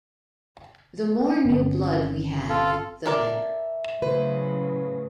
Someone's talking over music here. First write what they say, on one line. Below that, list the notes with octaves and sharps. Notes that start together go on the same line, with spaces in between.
The more new blood we have, the better.
G1 C4 C#4
F4 A4
A4 A#4 D5 E5
A2 C#3 F#3 B4 C5